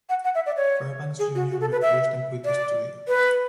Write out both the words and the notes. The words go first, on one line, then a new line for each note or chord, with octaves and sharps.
Fairbanks Junior refused and quit the studio.
F#5
F#5
E5
D5
C#5
G#4
F#4
F#4
A4
B4
E5
D5
B4